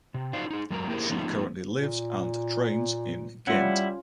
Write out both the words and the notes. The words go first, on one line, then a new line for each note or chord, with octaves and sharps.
She currently lives and trains in Ghent.
C3
D#4 F4 F#4 C5 D5 F5
D#4 G#4
F#2 F#3 G#3 A#4 A#5
A#3 E4 G4 G#4 A#4 C5
F3 A3 B3 C#4 D#4 F4
A#2
G3 C#4 E4 F4 F#5